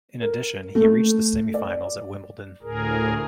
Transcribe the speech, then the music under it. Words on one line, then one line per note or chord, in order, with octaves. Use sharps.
In addition, he reached the semifinals at Wimbledon.
A#4
A3
D5
D2 A2 G#4 A#4